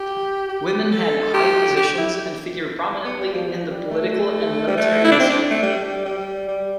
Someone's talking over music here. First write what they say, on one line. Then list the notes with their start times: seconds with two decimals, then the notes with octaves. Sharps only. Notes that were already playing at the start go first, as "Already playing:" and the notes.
Women had high positions and figure promininently in the political and military history.
Already playing: G4
0.49 G4
0.92 A4
1.34 G4
1.76 G4
1.98 E4
3.05 B3
3.20 G3
3.33 F3
3.48 F3
3.70 G3
3.90 A3
4.67 G3
4.77 A3
5.04 E4
5.12 D4
5.20 C4
5.29 D4
5.51 A3
5.63 G3
5.84 G3
6.05 G3
6.48 G3